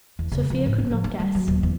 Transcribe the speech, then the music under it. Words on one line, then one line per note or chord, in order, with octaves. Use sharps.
Sofia could not guess....
E2
C#3
F3
A2
B3
F3
D4
G3
F#3
D#1
E2